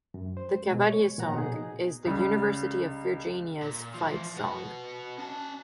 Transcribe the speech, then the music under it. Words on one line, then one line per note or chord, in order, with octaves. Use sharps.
The Cavalier Song is the University of Virginia's fight song.
F#2
C5
B2 G#3
C#5
A#2 F3 F#5 A#5
B2 D#4 G#4
C#2 C#3 G3
A#2
E3 F3
B3 F#4
C#4 A5